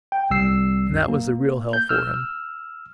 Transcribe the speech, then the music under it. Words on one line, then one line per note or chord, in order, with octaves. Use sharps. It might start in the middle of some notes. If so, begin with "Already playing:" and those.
And that was the real hell for him.
G5
C2 G3 E6 C7
F#2
A#3
G6
E6 F6